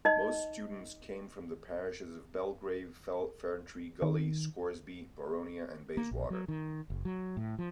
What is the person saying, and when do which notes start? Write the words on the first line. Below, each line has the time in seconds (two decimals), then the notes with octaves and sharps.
Most students came from the parishes of Belgrave, Ferntree Gully, Scoresby, Boronia, and Bayswater.
0.05 D#4 D#5
4.02 D#3
5.97 A#3
6.11 A#1
6.30 F#3
6.48 D#3
6.90 F#1
7.05 F#3
7.37 A2
7.59 F3